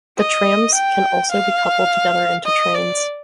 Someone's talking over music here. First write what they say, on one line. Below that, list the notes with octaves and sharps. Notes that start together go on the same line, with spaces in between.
The trams can also be coupled together into trains.
D#5
G5
F5
D#5
D5